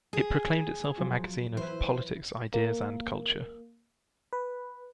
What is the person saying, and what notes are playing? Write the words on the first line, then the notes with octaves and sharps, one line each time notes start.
It proclaimed itself a magazine of "politics, ideas and culture".
G#4
F3 F#3 F4
E3 E4 B4 C5
A#3
B4